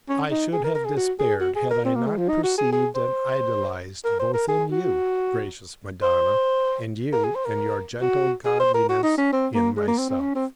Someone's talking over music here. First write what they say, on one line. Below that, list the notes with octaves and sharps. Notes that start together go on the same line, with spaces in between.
I should have despaired, had I not perceived and idolized both in you, gracious Madonna, and you and your gentle godliness in myself.
C#4
D#4
G#4
A#4
A#4
G#4
F#4
G#4
F#4
G#4
A#4
C4
A#3
G#3
F3
D#4
F#4
G#4
G#4
C5
A#4
C5
A#4
G#4
F#4
C5
A#4
G#4
C5
A#4
F#4
G#4
C5
A#4
F#4
D#4
C#4
C4
A#3
G#3
A#3
C4
C4
C#4
C4